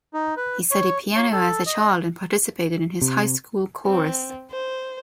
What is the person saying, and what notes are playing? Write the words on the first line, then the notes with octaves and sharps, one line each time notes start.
He studied piano as a child and participated in his high school chorus.
D#4
B4
C#5
C#5
A4
D#5
C3
C4
C5